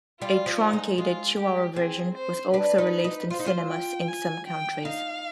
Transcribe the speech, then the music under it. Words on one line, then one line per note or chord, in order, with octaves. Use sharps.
A truncated two-hour version was also released in cinemas in some countries.
G3 F4
F3
D#4
G#3
G#3 F4
G4
C4 G#4
C5
D4 B4
D#4
D#4
F4 C5
D#4
F4
G5
G#5
G5
D#4 F5